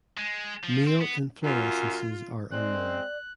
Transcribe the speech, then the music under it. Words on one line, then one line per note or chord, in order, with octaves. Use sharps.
Male inflorescences are unknown.
G#3
F3
C4
B3
F#2 F4
G#3 C4 D5 F#6